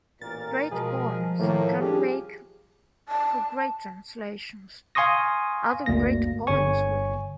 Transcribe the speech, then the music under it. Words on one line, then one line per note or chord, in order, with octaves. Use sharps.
Great poems can make for great translations, other great poems really.
A1 A#2 A#4 A6
B2 F3 G#3 G#4 A#4
A2 D#3 A3 A#3
G3 C#4 D4 G4 G#4
A5
F5 G#5 C6 C#6 D#6 A#6
G1 D2 A#3 A#6
G1 C#5 G#5 C#6